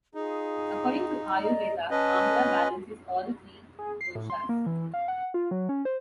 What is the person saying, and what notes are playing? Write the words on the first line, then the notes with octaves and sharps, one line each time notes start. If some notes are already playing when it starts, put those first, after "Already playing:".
According to Ayurveda, amla balances all three doshas.
D#4 F4 G#4
D5 D#5 A#5
C#4 B4 D#5 A5
F4 G#5
G#4
C7
A2
C6
A#3
E3
F5
F#5
F4
F#3
C#4
C5